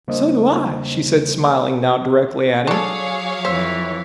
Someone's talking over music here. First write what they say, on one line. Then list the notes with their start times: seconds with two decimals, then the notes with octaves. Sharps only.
"So do I," she said, smiling now directly at him.
0.08 C#3 G3 A#3 D4 C5 D#5
2.67 F#3 D4 G#4 A4 C#5 F5 C#6 D6
3.45 F2 E3 C5 E6 B6